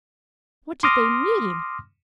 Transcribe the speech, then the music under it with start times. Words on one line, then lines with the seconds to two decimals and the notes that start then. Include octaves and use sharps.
What did they mean?
0.83 C6 D6 D#6 F6 A#6